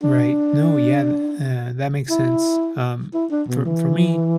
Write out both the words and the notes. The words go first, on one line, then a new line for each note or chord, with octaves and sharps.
Right. No, yeah. Th uh, that makes sense. Um, for for me,
D4
E4
E4
D4
B2
E3